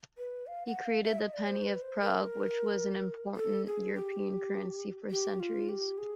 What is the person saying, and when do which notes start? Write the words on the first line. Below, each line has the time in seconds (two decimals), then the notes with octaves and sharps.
He created the penny of Prague, which was an important European currency for centuries.
0.18 B4
0.47 F5
0.66 F#5
0.85 F5
1.04 E5
1.19 D#5
1.34 D5
1.48 C5
1.63 B4
1.82 C5
2.01 A#4
3.36 A4
3.66 G#4
3.95 G4
5.11 G4
5.40 F4
5.69 G4
5.98 G#4